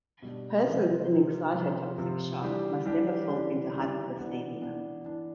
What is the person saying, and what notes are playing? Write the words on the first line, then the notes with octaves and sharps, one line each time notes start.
Persons in excitotoxic shock must never fall into hypoglycemia.
B2 G3 D4
C3 F3 C4 F4
C3 F3 C4 F4
C3 F3 C4 F4
C3 F3 C4 F4
E3 G3 D4 G4
E3 G3 D4 G4
E3 G3 D4 G4
E3 G3 D4 G4
E3 B3 D4
E3 B3 D4
E3 B3 D4